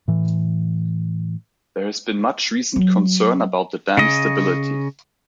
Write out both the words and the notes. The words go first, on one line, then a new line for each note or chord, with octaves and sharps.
There has been much recent concern about the dam's stability.
A2 E3
F#3
C#3 D#5